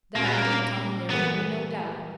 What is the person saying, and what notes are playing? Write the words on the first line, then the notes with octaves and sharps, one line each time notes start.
That it did come there can be no doubt.
A#2 G3 A#3 C#4 F#4
B3
A#3
E3 G3 A#3 B3